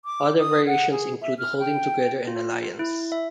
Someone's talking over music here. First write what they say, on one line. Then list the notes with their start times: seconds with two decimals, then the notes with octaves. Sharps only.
Other variations include "holding together" and "alliance".
0.05 D6
0.39 D#6
0.67 F#5
0.91 G#4
1.21 E5
1.39 F6
1.59 G5
2.27 F4
2.79 E4
3.12 E5